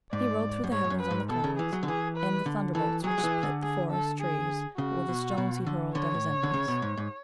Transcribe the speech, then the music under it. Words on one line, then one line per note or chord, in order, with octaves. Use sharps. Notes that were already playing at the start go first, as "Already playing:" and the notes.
He rode through the heavens on the clouds, and the thunderbolts which split the forest trees were the stones he hurled at his enemies.
G#2 D5
F#2
G#2 C#5
G#2
F#2
B4
G#2
B2 A4
C#3
E3 G#4
F#3
D3
E3 G#4
B4
D3
E3 A4
F#3 G#4
F#3
E3
D3
G#4
A4
G#4
C#3 F#4
B2
B2
D3
D3 C#5
A2
D3
C#3
B2
G#2
G#2